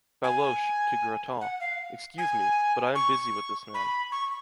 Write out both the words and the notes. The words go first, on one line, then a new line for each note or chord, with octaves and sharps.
Baloche, to Gratin. — Excuse, me: but I am busy with this man.
G#5
F#5
F5
G#5
C#6
B5
C#6